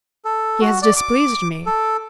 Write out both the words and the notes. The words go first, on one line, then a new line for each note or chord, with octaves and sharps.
"He has displeased me."
A4
F#4
D5
D6
A4